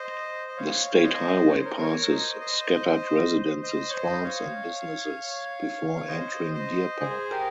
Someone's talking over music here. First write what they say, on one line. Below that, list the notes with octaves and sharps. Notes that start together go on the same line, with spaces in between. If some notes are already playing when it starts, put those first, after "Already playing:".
The state highway passes scattered residences, farms, and businesses before entering Deer Park.
Already playing: C5 D#5
D#5
C#5 F5
F5
C5 D#5
C#5
C5
A#4 C#5
A#4 C#5
C5 D#5
C5 D#5
C5 D#5
C#5
C5 D#5
C#5 F5
F5
C5 D#5
C5 D#5
G#4 C5
G4 A#4